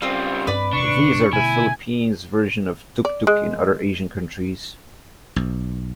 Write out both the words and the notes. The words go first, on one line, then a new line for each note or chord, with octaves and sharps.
These are the Philippines' version of tuk-tuk in other Asian countries.
C#3 G3 C4 F4
G2 C4 D4 B4 D5
D#1 C3 D4 C#6
B2 D3 A3 E4 G#5
D5
G#3
B1